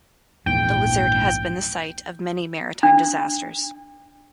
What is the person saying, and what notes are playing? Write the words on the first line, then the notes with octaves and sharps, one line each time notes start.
The Lizard has been the site of many maritime disasters.
A#1 E2 G#2 G5
D4